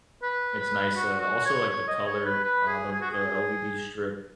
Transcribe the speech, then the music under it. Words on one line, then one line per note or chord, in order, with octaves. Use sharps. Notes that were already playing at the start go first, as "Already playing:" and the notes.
it's nice, uh, also like the color, uh, the the LED strip
B4
B4
F#4
F#4
C#5
C#5
D#5
C#5
B4
B4
G#4
G#4
F#4
G#4